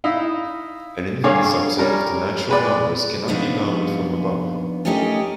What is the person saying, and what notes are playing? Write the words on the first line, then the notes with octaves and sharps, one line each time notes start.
An infinite subset of the natural numbers cannot be bounded from above.
D#4 E4 F5
G2 D3 A#3 G#4 C#5 D6
G3 C#4 A#4
G#3 B4 D5
F3 A#3 B3 D4 D#4
A3 C#4 D#4 G4 A#4 D#5